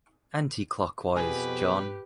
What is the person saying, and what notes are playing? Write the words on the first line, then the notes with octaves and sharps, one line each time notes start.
Anti-clockwise, John.
F2 B2 G4 G#4 B4